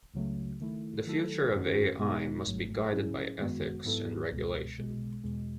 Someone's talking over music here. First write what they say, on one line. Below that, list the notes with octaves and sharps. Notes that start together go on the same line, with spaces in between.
The future of A-I must be guided by Ethics and Regulation.
C#2 C#3 F#3 A3
D#3 A3 E4
D#3 F#3 A3 E4 A4
F#2 D#3 A3 C#4 F#4
B2 G#3 B3 D#4
G#1 G#2 F#3 A3
A2 F#3 C#4 E4 G#4
F#2 D#3 G#3 B3 F#4
G#2 F#3 B3 E4 A4
C#2 B2 G#3
B1 B2 G#3
E2 B2 G#3